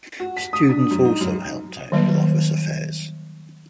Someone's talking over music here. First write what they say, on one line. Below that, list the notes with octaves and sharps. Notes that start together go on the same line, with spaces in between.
Students also helped out with office affairs.
F#4
B6
D#6
D4
F#2
D#4
F#2
D#3 F#3 G3 A#3 B4